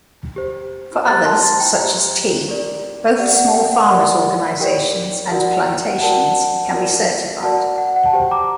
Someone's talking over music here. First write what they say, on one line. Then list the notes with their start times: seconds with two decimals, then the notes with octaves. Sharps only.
For others, such as tea, both small farmers' organizations and plantations can be certified.
0.36 G4 C5
1.07 G4 C5 F#6 A6
1.25 A5 C6
1.42 A5 C6
1.60 G5 A#5
1.78 G4 C5
2.49 G4 A#4 D5
3.19 G4 A#4 D5 F#5
3.36 F#5
3.54 G5
3.72 F#5
3.90 G4 A#4 D5
4.60 G4 A#4 D5 G5
5.31 F#4 A#4 D5 F#5
5.66 G5
5.87 F#5
5.94 G5
6.01 F#4 A#4 D5 F#5 A5
6.72 F#4 A#4 D5
7.42 F#4 A#4 D5 F#5 A5
7.78 F#5
7.96 F#5
8.06 A5
8.13 G4 C5 G5
8.31 A#5 D6